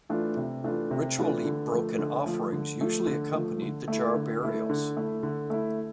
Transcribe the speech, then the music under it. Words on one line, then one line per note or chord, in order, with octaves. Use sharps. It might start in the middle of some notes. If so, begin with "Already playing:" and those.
Ritually broken offerings usually accompanied the jar burials.
E3 A3 D4 F4
C3
E3 A3 D4 F4
C3
E3 A3 D4 F4
D3
F3 A3
D3
F3 A3
D3
F3 A3
D3
F3 A3
D3
A3 E4
D3
A3 E4
D3
A3 E4
D3
A3 E4